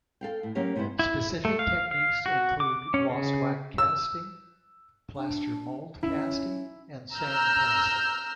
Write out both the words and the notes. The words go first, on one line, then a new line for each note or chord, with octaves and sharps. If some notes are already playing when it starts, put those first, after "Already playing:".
Specific techniques include lost-wax casting, plaster mold casting and sand casting.
A4 F5 G5
A2
F#3 A#3 C#4 G4 F5
G#2 C3 B3 E4 C5
E4
A3
F5
F5
F#4
D6
C#4
C#3
E6
D4
C#4 E4
A#5 E6 F6 G6